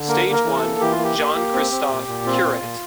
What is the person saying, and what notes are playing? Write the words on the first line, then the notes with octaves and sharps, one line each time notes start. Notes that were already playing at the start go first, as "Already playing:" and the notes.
Stage one Jean-Christophe Currit.
Already playing: D3
A#3 A#4
A#3
A#4
E3
A4
A#3
E3 G4
F4
A#3
G4
A#3
A#3
C4
C4
A#2
A#2
C4 F4
A#2
A#2